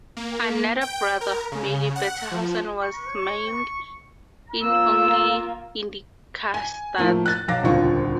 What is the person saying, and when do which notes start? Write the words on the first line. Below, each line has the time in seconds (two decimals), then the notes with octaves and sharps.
Another brother, Merle Bettenhausen, was maimed in his only Indy Car start.
0.17 A#3
0.81 G5
1.21 A#4
1.52 C#3
1.96 F#5
2.31 F3
2.83 C#6
4.63 A#3 F4 E6
6.54 G#5
6.98 A2 F3 A3 A#3
7.26 F#6 A6
7.48 B1 F#3 F5 D6 A#6
7.63 D#1 G#1 C#2 D3 F4 C#6